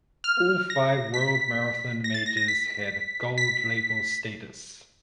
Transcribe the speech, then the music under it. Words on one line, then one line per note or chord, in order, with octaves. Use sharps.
All five World Marathon Majors had Gold Label status.
F6
A#6
B6
A#6
A6
A#6
A#6
B6
B6